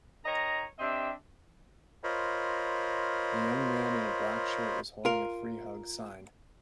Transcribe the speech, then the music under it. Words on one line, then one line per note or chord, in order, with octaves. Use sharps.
A young man in a black shirt is holding a Free Hugs sign.
D#3 C#5 D#5 A#5
C4 D4 G4 D#5 E5
F4 A#4 C5 C#5 D#5 B5
F4 A#4